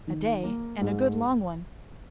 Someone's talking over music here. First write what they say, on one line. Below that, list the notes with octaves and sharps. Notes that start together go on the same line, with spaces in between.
"A day, and a good long one."
D#3
A#3
G#2